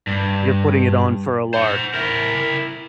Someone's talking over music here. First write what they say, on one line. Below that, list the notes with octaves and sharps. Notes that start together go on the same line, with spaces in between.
You're putting it on for a lark.
G2
C5 F#5
E4 A#4